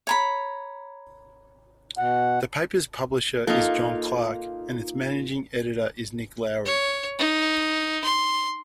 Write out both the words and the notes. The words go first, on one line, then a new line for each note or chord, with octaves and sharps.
The paper's publisher is John Clark, and its managing editor is Nick Lowrey.
C#5 A#5 B5
B2 F#5
A#3 D#4 F4 A4 D#5 F5
C#5
D#4
C6